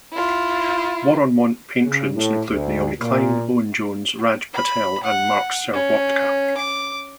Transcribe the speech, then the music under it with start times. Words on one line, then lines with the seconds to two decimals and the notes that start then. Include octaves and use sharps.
War on Want patrons include Naomi Klein, Owen Jones, Raj Patel and Mark Serwotka.
0.13 E4 F4
1.84 C#3
2.15 A2
2.50 D2
3.00 A#2
4.53 B5
5.03 F#5
5.74 C#4
6.57 D6